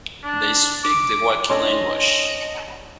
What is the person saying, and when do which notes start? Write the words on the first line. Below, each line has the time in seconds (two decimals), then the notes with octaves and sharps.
They speak the Wakhi language.
0.24 D4
0.84 D6
1.50 C#4 D4 A4 D#5 C6